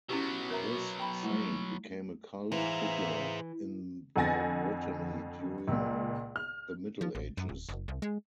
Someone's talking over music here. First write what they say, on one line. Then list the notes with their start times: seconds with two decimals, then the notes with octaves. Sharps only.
This saint became a cult figure in the Brittany during the Middle Ages.
0.09 F#3 B3 C#4 E4 G4
0.50 A#4 E5 A#5
0.72 F#4
0.99 G5 B5
1.23 G3 A3 E4
2.52 E3 G#4 C5 E5 F5 A#5
4.16 F2 D3 F#5 G#5 A6 A#6
5.68 C#2 A#2
6.36 F6
7.01 F3
7.15 A1
7.37 F#2
7.49 D1
7.69 F#1
7.88 C2
8.02 G#3